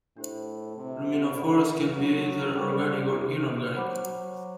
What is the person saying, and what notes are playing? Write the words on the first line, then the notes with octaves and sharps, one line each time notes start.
Luminophores can be either organic or inorganic.
A2 D4 G4 C5
C3
D3 G4 D5 F#5 B5
E3
F#3
G3 A4 C5 G5 D6
F#3 C5 F#5 B5 D6
F#3